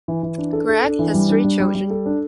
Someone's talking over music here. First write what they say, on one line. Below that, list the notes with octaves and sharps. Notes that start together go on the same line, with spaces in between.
Greg has three children.
E3
E3
D4
A4
A4
D4
E3
G3
D4
G3
G3
G3
A4
D4